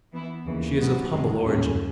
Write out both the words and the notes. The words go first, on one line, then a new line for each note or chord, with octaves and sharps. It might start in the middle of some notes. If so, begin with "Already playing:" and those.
She is of humble origin.
E3 B3 E4
D#2 C#3 E3
G#2 F#3 B3 F#4
E2 B2 G#3
D#2 C#3 F#3 C#4